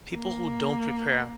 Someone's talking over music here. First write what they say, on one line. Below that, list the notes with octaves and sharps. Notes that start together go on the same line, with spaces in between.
people who don't prepare
A#3